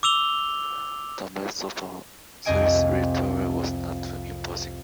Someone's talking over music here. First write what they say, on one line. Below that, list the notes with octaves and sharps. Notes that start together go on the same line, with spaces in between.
The mass of the Swiss Re tower was not too imposing.
D6 E6 F7 G7
C2 F2 C5 D#5 G#5 D7